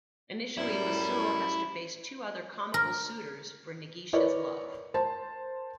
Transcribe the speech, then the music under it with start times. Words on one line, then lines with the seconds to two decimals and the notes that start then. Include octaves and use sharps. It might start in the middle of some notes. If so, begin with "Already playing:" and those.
Initially, Masuo has to face two other comical suitors for Nagisa's love.
0.57 F#2 A2 G3 E4
2.74 A#4
4.13 E4 A#4 B4 C#5 D5
4.94 A#4 C5 A5